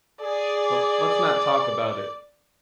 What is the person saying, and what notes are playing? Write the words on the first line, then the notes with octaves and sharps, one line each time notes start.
But let's not talk about it.
G#4 D5